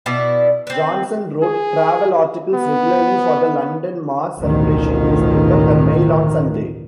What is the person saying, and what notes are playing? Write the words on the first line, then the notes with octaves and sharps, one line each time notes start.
Johnson wrote travel articles regularly for the London mass-circulation newspaper "The Mail on Sunday".
B2 E4 D5
C4 B4
G#4
B3
A1 D2 B2 D#3 F3